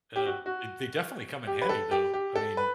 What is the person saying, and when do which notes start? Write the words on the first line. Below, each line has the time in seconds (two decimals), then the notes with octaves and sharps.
Uh, they they definitely come in handy though, I mean,
0.16 G4
0.26 F#4
0.46 F#4
1.47 G4
1.62 B4
1.69 A4
1.91 G4
2.14 G4
2.36 A4
2.57 B4